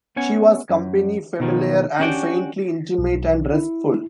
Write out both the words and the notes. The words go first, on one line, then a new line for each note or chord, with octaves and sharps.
She was company, familiar and faintly intimate and restful.
B3 C#4 F#5 G#5
F#2
B2 D#3 F3
C#4 D4 F#4 G4 G5
B1
E4